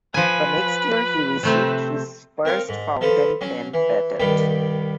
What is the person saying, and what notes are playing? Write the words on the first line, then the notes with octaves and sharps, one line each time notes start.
The next year he received his first fountain pen patent.
F3 B4 G#5
C3 A3 C4
C4 A#4 C#5 F5
G#2
F3 A4 B4 C5
F#3 C#4 F#4
E3
C2 G2 D#3 D5 G5 B5